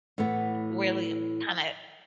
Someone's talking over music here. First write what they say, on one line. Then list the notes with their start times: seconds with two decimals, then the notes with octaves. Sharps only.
Really kinda
0.18 A2 E3 A3 B3